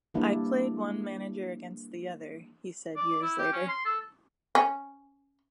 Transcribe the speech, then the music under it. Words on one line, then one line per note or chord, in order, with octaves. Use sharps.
"I played one manager against the other," he said years later.
E3 G3 A#3 D4 E4
D5
E4
G4
C#4
C6
A4
C#4